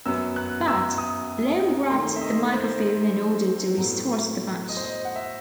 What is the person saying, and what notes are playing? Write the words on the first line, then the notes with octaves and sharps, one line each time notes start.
But, Long grabbed the microphone and ordered to restart the match.
F#2 F#3 B3 E6
F#6
E6
D#6
C3 D#3 A3 C4 C6
E5
D#5
C5
A2 F#3 B3
D#5
C5
D#5
F#5
E5